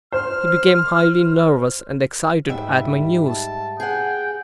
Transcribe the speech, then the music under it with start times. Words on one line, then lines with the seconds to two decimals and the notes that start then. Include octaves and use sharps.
He became highly nervous and excited at my news.
0.12 C5 F6
2.49 G#2 G3 E5
3.29 A5
3.80 G#4 F#5 G5